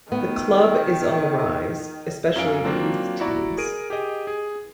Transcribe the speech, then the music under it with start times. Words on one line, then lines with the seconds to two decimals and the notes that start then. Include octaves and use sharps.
The club is on the rise, especially the youth teams.
0.12 D#3 B3
2.36 F#2 C#4 E5 F5 D7
2.64 F#3 A#3 C4 D4 F4
3.20 E4 F#4 D5 A#5 C#6
3.58 G#4 A#4 D7 D#7
3.90 G4 G#4 D#5
4.27 G#4